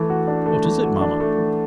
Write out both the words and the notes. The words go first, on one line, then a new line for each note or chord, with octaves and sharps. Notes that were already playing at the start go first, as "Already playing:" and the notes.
"What is it, mama?"
Already playing: E3 A3
F#4
D4
A3
E3
F#4
D4
A3
E3